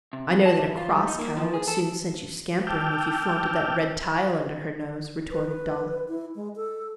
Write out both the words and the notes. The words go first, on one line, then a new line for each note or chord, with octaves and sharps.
'I know that a cross cow would soon set you scampering, if you flaunted that red tile under her nose,' retorted Dolly.
C3
F3
A5
E3
F4
G3
D#4
A#3
F3
G#4
A4
G5 A5 D6 E6 F6 G6
B4
E4
G#3
A4